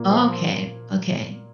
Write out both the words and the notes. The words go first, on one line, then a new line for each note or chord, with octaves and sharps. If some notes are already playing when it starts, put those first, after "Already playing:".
Oh, okay. Okay.
Already playing: A#2 A#3
F3 C4